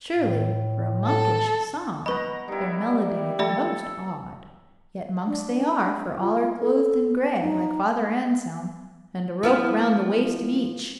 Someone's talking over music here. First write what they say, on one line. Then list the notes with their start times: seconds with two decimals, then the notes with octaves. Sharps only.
Surely, for a monkish song, their melody is most odd; yet monks they are, for all are clothed in gray, like Father Anselm, and a rope round the waist of each.
0.16 A2
1.07 A4
2.06 B2 B4 D#5 A#5 B5 C#6
2.48 D#3 G3 E4
3.39 A3 G4 A4 D5 E5 B5
5.27 D4
6.21 F4
6.60 A4
7.41 D#4
9.43 F3 B3 E4